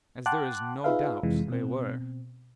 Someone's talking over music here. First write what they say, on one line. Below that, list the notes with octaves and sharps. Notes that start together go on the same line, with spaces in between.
As there is no doubt they were.
F#5 G5 A5 C6 D6 F#6
D#4 F4 G#4 B4 E5 F5
F2 C3 E3 G#3
B2 C4